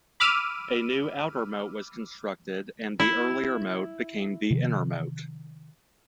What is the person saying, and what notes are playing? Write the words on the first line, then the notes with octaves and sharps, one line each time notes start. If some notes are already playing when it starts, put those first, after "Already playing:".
A new outer moat was constructed, and the earlier moat became the inner moat.
B5 D6 E6 F6 D#7
E4
C3 D#3 F3